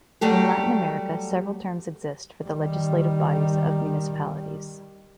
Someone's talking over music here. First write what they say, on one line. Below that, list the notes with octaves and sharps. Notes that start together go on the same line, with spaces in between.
In Latin America several terms exist for the legislative bodies of municipalities.
F#3 G3 A3 G4
D#3 G3